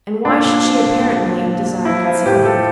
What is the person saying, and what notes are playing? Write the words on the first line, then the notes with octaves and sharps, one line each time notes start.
And why should she apparently desire concealment?
A#2 D4
A#2
F3
A#2
F3
A#2
A#2
A#2
F3 E4
F3 F4
A2 G4
F3 A4